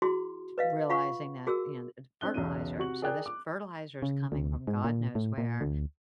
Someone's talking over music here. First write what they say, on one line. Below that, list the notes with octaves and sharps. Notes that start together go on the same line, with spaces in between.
realizing that, you know, fertilizer, so this fertilizer is coming from god knows where
E4 F#4 G#4 C6
B4 D#5 F5
F4 F5 F#5 B5 C#6
F#4 G#4 A#4 E6
C4 D4 F#6 G7
B1 E2 C#3 E3 D#7
C3 F#4 C#6 F#7
G#4 A#4 D5 G5 F#6
D6
C#3
D2
G#2
A#2
A2
A#2
D2